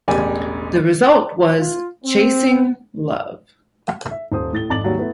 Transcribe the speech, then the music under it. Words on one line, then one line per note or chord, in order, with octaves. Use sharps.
The result was "Chasing Love".
E1 A1 G4 D5 G#5
F4
C4
E5
D#1 C5 D#6
A2 A6 G7
G#1 F2 A5 D6 A6 F#7
D#2 F#3 G3
A3 B3 E4